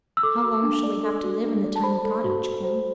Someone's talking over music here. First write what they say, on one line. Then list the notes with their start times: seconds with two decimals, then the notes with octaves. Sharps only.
"How long shall we have to live in the tiny cottage, Clym?"
0.17 E6
0.23 A4 D6
0.43 F#4
0.63 D4
0.83 D5
1.03 A4
1.23 F#4
1.44 D4
1.64 D5
1.76 A5
1.83 C5 B5
2.04 A4
2.24 F#4
2.44 F#4
2.64 C5